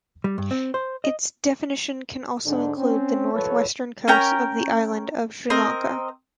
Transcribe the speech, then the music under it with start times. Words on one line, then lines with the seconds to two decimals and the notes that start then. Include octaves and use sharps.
Its definition can also include the northwestern coast of the island of Sri Lanka.
0.24 G3
0.38 G2
0.51 C4
0.74 C5
1.04 D#5
2.46 G#2 D3 D4
2.78 C4 C#4
3.33 C2 F3 A4 B4 C#5
4.08 C#4 A#4 G5 A#5
5.50 C4 A#4 D#5